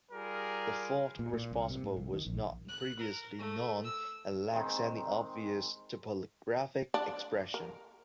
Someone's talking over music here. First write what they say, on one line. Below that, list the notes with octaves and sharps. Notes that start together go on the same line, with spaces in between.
The fault responsible was not previously known and lacks any obvious topographic expression.
G3 F4 G#4 A#4
A#2
A#2
C2
C3
G#2
C2
D#3
A#1
F#6
A#4
A3
E6
D#3 G#3 C4 D#4
D4
A#4